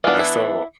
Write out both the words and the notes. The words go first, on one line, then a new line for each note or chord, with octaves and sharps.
and so
E3 B3 D4 F4
E4